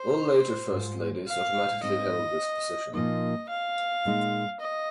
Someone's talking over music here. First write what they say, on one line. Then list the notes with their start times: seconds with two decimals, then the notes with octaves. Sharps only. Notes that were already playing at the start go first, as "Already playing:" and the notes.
All later First Ladies automatically held this position.
Already playing: C5
0.72 G#2 G#3 F4
1.28 F5
1.82 G#2 G#3 C4 D#4 D#5
2.94 A#2 F3 A#3 D#4 D#5
3.49 F5
4.05 A#2 G#3 D#4
4.60 D#5